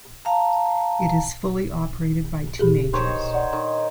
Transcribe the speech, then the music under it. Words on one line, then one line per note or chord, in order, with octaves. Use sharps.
It is fully operated by teenagers.
F5 A5 A#5
A#2 G4 G#4
D#3 C5 C#5
D5 F#5
D#3